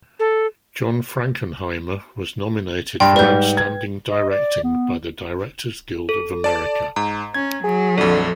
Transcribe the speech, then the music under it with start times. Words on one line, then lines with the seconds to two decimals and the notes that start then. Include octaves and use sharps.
John Frankenheimer was nominated for Outstanding Directing by the Directors Guild of America.
0.19 A4
3.00 G2 G5 C6
3.16 G#2 G3 B4 G6
3.57 G#6
4.10 D#5
4.30 D5
4.64 B3
6.09 A4
6.44 D5 A5
6.96 G#2 A#5
7.34 C#4 G#6
7.64 F#3 G#4
7.98 A#1 F2 D3 A4